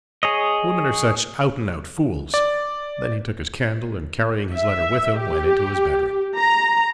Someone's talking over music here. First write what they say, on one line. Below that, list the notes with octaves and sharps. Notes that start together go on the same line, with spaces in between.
"Women are such out-and-out fools." Then he took his candle, and carrying his letter with him, went into his bedroom.
G#4 C#5 D#5
D5
E5
G4
A#5